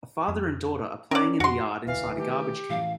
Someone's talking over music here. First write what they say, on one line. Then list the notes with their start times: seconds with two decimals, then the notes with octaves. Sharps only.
A father and daughter are playing in the yard inside a garbage can.
0.28 F2
1.11 C#4 A#4 D5
1.40 F2 F#4 C6
1.87 E1 D2 E3 F5
2.18 D#3 G3 A3 G4
2.70 A2 E3 F5